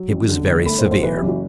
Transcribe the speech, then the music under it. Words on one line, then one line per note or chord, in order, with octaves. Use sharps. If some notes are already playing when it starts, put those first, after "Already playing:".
It was very severe.
Already playing: F#3
A1
D3
G1
A3 B5
C5
B1
C5
E3 B4
G4
F#1
F#4